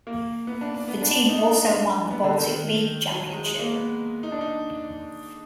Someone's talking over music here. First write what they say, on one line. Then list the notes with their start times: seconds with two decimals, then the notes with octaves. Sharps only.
The team also won the Baltic League Championship.
0.07 A#3
0.47 B3
0.61 D4
0.74 D4
0.88 B3
1.02 D4
1.29 D#4
1.70 D4
2.11 B3
2.24 D3
2.38 D#3
3.12 F#3
3.32 G#3
3.46 G#3
3.59 A#3
3.73 B3
4.23 D#4
4.32 D4
4.41 D#4